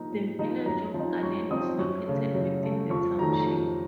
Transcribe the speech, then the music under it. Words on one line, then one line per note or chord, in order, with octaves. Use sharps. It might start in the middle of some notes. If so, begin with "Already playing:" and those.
The village of Galien is located within the township.
Already playing: F3 A#3 D#4
A2
F3 A#3 D#4
F#2 A#5
F3 C4 D#4
F#2 C#6
F3 C4 D#4 D#6
F#2 C#6
C#3 A3
F#2
C#3 A3
F2 C#6
D#3 F#3 A3 A#5
A#5
F2